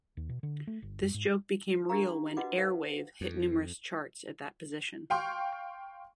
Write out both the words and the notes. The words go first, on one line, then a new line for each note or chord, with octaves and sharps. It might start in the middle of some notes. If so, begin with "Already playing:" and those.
This joke became real when "Airwave" hit numerous charts at that position.
D#2
B2
D3
A3
G1
F#2
G#2
D4 G4 G#4 A#4 F5 A#5
F4 F#4 B4 D#5 F#5 D6
D#4 A4 B4 C5 F5
F2
F5 G5 C6 C#6